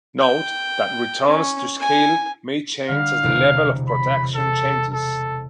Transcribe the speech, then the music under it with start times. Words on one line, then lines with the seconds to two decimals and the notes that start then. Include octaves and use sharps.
Note that returns to scale may change as the level of production changes.
0.19 G5
1.26 C#4
1.79 G#5
2.89 D3 G3 F5
3.23 E1 C3 A#5
3.88 B5
4.35 A4
4.93 A4